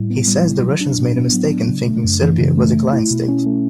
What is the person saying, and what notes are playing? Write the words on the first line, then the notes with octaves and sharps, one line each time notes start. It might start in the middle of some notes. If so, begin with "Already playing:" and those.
He says the Russians made a mistake in thinking Serbia was a client state.
Already playing: A2 G3 E4
B3
G3
E4
F#3
D4
A2
B3
F#3
D4
C#3
A3
F#2
E3
C#3
A3
A3
E4
B2
C#4
A3